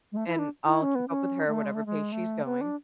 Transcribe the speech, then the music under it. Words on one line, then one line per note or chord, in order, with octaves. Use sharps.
and I'll keep up with her, or whatever pace she's going.
G#3
A3
E4
D4
E4
C#4
B3
C#4
A3
G#3
A3
G#3
A3
B3
D4